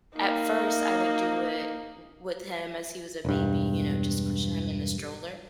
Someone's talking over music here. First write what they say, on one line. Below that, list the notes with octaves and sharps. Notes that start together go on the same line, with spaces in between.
at first, I would do it w with him as he was a baby, you know, just pushing him in the stroller.
A#3 D#4
E1 G2